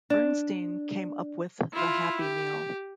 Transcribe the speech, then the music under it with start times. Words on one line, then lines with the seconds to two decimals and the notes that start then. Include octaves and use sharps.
Bernstein came up with the Happy Meal.
0.10 D4
1.73 E4 F4
2.21 G4